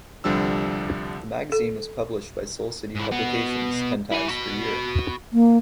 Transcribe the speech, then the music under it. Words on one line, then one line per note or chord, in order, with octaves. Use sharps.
The magazine was published by Soul City Publications ten times per year.
C2 D3 F3 G3 D4 E6
A4
G#2 E4
B3 F#4
E4 G#5
F#4 B5
A#3